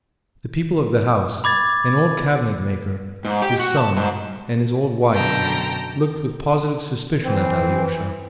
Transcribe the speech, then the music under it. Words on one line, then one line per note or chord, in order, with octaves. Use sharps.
The people of the house, an old cabinet-maker, his son, and his old wife, looked with positive suspicion at Alyosha.
B5 D6 G#6 A6
G#2
G4
F#4
A5
G#2
F#2 B2 D3 G5 A5 A#5
E3 C4